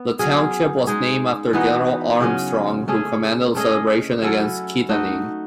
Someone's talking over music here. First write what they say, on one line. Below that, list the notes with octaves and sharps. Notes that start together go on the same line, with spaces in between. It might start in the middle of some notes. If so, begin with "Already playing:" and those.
The township was named after General Armstrong who commanded the celebration against Kittanning.
Already playing: B3
F#3 C#4 G#4
G#3 D#4 G#4
E3 B3 D#4 F#4
C#3 F#3 C#4
A3 C#4 G#4
A3 C#4 G#4 D#5
F#3 C#4 E4 A4
A3 D#4 F#4